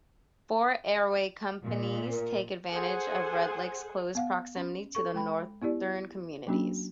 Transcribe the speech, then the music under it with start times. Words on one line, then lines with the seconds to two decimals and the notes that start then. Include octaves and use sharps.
Four airway companies take advantage of Red Lake's close proximity to the northern communities.
1.64 A#2
2.10 A#4
2.71 G#4 A4 C5 F#5 G#5
4.15 B3 F5 F#5
4.56 C#4
4.95 A4 C#6
5.14 G#3 G5 B5
5.62 B3 E4 G4 D5
6.47 F#3 A#3 C#4 D4 F#4